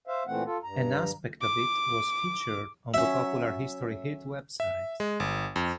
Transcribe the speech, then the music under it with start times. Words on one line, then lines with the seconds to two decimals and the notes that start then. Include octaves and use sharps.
An aspect of it was featured on the popular History Hit website.
0.07 C5 E5 F5
0.27 A#2 E3 A3 C4 F#5
0.45 F4 A4
0.63 G2 A#5
1.41 D6
2.94 F#3 C#4 E5
4.60 E5
5.00 G#3
5.20 G1
5.56 F2